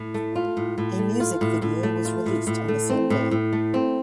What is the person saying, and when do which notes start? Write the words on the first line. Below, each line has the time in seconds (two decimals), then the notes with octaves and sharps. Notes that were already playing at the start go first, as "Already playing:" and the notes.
A music video was released on the same day.
Already playing: A2
0.14 A3
0.35 F4
0.57 A2
0.78 A2
0.99 A3
1.20 F4
1.41 A2
1.62 A2
1.83 A3
2.05 F4
2.26 A2
2.47 A2
2.68 A3
2.90 C4
3.10 A2
3.31 A2
3.53 A3
3.74 C4